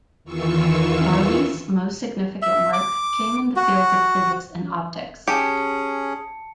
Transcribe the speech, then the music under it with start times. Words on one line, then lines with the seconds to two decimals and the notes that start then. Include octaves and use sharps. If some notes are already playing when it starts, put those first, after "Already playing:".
Morley's most-significant work came in the field of physics and optics.
0.24 E2 D#3 E3 F4 C#6 E6
2.42 E5
2.73 D6
3.56 F#4
5.28 C#4 G4 G#4 A5 C#7